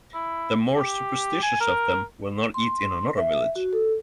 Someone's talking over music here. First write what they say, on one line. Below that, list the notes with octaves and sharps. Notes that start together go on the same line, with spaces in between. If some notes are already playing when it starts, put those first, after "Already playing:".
The more superstitious of them will not eat in another village.
E4
G4
G#5
A#4
C6
E5
F#4
A4